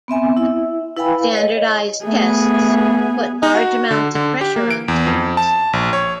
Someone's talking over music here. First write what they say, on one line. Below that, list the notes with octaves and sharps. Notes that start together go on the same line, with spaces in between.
Standardized tests put large amounts of pressure on students.
B3 C4 E5 G#5
E4 E5
E4 B4 F5 G5 G#5 B5
C#5 D#5
A3 B3 G#4
D#4
F#4
D3
D3
G4
A#3
D7
E2
F2
A5
A#1
C#5